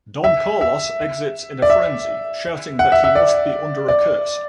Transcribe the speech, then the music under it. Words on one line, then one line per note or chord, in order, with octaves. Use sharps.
Don Carlos exits in a frenzy, shouting that he must be under a curse.
E5
E5
D5
E5
F#5
E5
E5
D5
D5